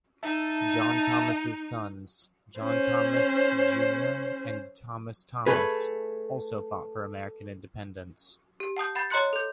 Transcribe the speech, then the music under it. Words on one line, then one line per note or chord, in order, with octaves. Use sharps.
John Thomas' sons, John Thomas, Junior and Thomas Thomas, also fought for American independence.
D#4 E5 A5
C#4 C5
A3 G#4 B4
G4
F#5 A5 D#6 G6
F#5 B5 G6 A6
C#5 D#5 A#5 C6 F#6 C#7
A4 G6